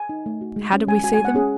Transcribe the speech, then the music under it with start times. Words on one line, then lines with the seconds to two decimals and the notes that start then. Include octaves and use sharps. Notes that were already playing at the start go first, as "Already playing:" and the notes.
How did we see them?
Already playing: G#5
0.09 D#4
0.26 A3
0.41 F#4
0.56 G#3
0.73 C#4
0.87 G#3 G#5
1.03 F#4 G#5
1.14 G#5
1.19 G#3
1.25 F#5
1.35 C#4 G#4